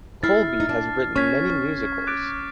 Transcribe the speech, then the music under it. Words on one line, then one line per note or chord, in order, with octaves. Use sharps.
Colby has written many musicals.
E4 F6 A6 C7
D#4
D4
C#4 C#6 F6 G#6 B6
D6 F#6 A6 D7